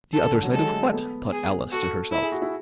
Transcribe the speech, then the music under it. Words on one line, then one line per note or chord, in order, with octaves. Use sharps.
The other side of WHAT?' thought Alice to herself.
A4
D3
F#3
G#3 A4
A3
B3
G#4
F#4 A4
E4
G#4
F#4
E4